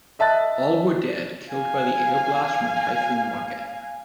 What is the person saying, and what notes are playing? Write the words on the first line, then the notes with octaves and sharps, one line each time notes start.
All were dead, killed by the air blast from a Typhoon rocket.
D#5 E5 A5 F#6 A6
F5 G#5